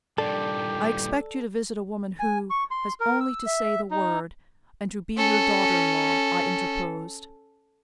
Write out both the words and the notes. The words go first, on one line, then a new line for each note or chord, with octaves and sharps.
"I expect you to visit a woman who has only to say the word and to be your daughter-in-law," I interposed.
G2 A#2 G4 A4 D5
G#5
C#6
C6
A#4
E6
E5
D#4
C#4 A4